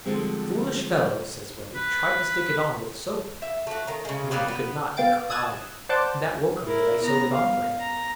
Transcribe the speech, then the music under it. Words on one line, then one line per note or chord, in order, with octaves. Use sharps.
"The foolish fellow," says Wendy, "tried to stick it on with soap, and when he could not he cried, and that woke me, and I sewed it on for him."
D3 F3 G3 G#3 C4
B4
E5
A3 F#4
D#3 A#5
C#3 G#3
F#3 G3 A#3 B3
B3
B3 F5 G5 A6 D7
D#6 E6 F#6 G#6 A6 E7
C5 D5 F#5 A5 D6 G6
E4 A#4
B3 A#5
F5
A#5